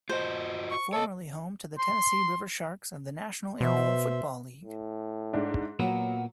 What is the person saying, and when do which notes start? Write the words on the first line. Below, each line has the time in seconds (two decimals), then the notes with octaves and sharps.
Formerly home to the Tennessee River Sharks of the National Indoor Football League.
0.09 F4 F#4 C5 D#5
0.71 C#6
0.93 A4 C#5 D#5
1.79 C6
3.61 B2 C5 E5
4.65 A2
5.33 G#2 D4 E4
5.79 A#2 F#3 A#3 B3 F#5